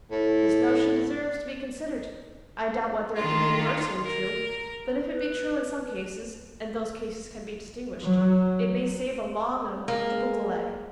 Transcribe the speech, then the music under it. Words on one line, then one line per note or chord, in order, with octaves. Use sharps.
This notion deserves to be considered; I doubt whether it be universally true; but if it be true in some cases, and those cases can be distinguished, it may save a long and uncomfortable delay.
A2
D#3 D4 F4
A#4
B4
F#3
G#3 A#3